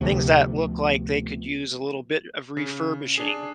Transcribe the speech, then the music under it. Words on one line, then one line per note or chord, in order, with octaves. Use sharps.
things that look like they could use a little bit of refurbishing.
D2 C3 F3 A3 B3
C#3
D4 G#4 C7